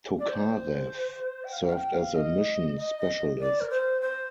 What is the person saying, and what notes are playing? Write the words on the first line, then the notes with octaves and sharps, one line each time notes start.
Tokarev served as a Mission Specialist.
D5
C5
G5
F5
F5
G5
F5
D#5
D#5
D#5
D5
A#4
C5
C5